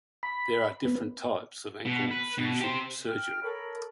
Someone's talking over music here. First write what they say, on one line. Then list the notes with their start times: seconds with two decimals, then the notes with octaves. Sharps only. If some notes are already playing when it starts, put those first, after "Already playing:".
There are different types of ankle fusion surgery.
0.23 B5
0.85 B3
1.85 B2
2.11 B4
2.38 B2
2.60 G4 C5
3.07 G5 F6
3.42 A4 A#4 C#5 B5